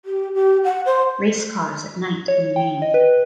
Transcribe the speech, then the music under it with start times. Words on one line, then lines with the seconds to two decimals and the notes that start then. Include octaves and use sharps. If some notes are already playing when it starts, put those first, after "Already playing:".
Race cars at night in the rain.
0.05 G4
0.34 G4
0.64 F#5
0.85 C5
2.28 C#5
2.56 G5
2.82 D#5
2.94 B4